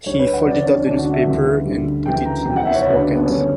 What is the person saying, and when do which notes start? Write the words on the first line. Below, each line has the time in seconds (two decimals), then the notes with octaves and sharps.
He folded up the newspaper, and put it in his pocket.
0.06 D2 D3 G3 C#5
0.19 B4
0.33 F#5
0.46 E2 C#3 G3 D5
0.56 C#5
0.66 D4
0.75 C#4
0.86 D2 D3 F#3 D4
0.99 F#4
1.12 E5
1.25 D2 C#3 E3 G3
1.65 D2 D3 G3
2.05 D2 C#3 E3 G3 G5
2.25 A#5
2.45 E2 B2 F#3 G5
2.56 F#5
2.65 E5
2.75 C#5
2.85 D2 C#3 F#3 B4
2.99 D4
3.14 B3
3.26 F#2 D3 G3 C#4